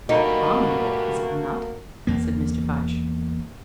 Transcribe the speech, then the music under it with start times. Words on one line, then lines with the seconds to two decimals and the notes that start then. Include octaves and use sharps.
"Abominable, is it not?" said Mr. Fyshe.
0.09 A3 A#3 D#4 F#4 G4 B4
2.07 E2 A#3